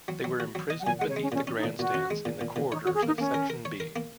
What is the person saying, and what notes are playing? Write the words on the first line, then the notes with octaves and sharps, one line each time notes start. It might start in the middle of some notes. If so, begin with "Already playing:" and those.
They were imprisoned beneath the grandstands in the corridors of Section B.
F#3
F#3
F#4
F#3
D#5
F#5
A#2 G#5
F#5
G#3
C#5
G#3 C#4
A#2 C#4
C#4
D#4
A#2
A#2 F#4
C#4
G#3
A#2
A#2
A#2
D#4 C#5
F#4
C#5
G#4
A#3 D#4
A#3 C#4
A#4
A#4
C#5
A#4
A#3